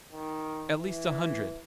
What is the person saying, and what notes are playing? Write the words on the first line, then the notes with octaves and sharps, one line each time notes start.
"At least a hundred."
D#3
E3